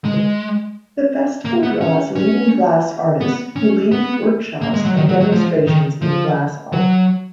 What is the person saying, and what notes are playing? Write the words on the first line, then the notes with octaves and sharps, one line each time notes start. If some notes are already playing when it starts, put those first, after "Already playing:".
The festival draws leading glass artists who lead workshops and demonstrations in glass art.
G#3
A#3
B3
C#4
C#4
B3
C#4
B3
A#3
G#3
F#3
D#3
F#3
F#3
F3
D#3
F3
F#3